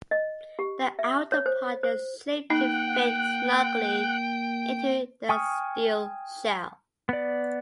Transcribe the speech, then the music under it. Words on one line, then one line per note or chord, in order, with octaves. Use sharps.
The outer part is shaped to fit snugly into the steel shell.
D#5
G4
E5
C#5
C5
C5
A#3 D#4 F#5 G5 F#6
G5 G#5 C#6 D#6 F6
B3 D5